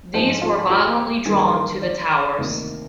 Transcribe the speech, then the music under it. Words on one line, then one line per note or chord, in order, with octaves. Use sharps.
These were violently drawn to the towers.
G#2 F3 G#3 C4 C5
F4
G4
G2 D#3 G3 A#3 G#4
A#4
D5
D2 C3 D#3 A#3